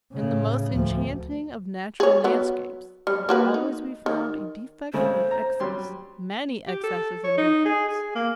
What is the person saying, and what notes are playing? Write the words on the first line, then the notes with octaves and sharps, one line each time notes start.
In the most enchanting of natural landscapes, there will always be found a defect or an excess--many excesses and defects.
A2 C#3
D2 F3
G#4 C#5
F#3 B3
G3
A#3 F#4 B4
D#4
D#3
C#3 G#3 A3 C5
A#5
F#3 G3 C6
G4
A4
C#5
D#4
G#4
G#4
A#3